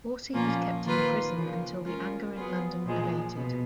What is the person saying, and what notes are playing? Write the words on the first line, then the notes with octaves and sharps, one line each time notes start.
Horsey was kept in prison until the anger in London abated.
A#2 F3 A#3 C#4 F4
D#3 A#3 F4 B4
C#3 F3 A#3
G#3 C#4 F4 A#4
F#3 B3 F4 G#4
A#2 F3 G#3
B2